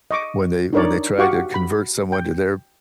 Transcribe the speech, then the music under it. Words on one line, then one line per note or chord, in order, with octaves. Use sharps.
when they when they try to convert someone to their
D#5 C#6 D6
D4 D#4 A#4 C#5 D5
F#4 G4 F5 F#5 C#6 D6
B5
G5